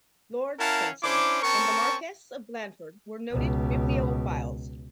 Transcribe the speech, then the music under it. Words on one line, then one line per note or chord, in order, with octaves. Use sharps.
Lord Spencer and the Marquess of Blandford were noted bibliophiles.
C#4 E4 A#4 F5 F#5 A5
C#4 D4 E4 C5 D6
C4 C#4 A#4 A5 C#6
C#2 B2